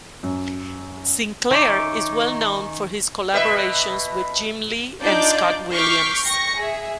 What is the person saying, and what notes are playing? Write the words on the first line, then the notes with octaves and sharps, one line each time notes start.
Sinclair is well known for his collaborations with Jim Lee and Scott Williams.
F#2
D#3 C#4 D#4 E5 D6
B2 B4 E5
D4 D#4 F4 D5 D6 G6
C#6 D6 F6 G6 B6 C7
G5 C#6 A#6 C#7
G#4 E5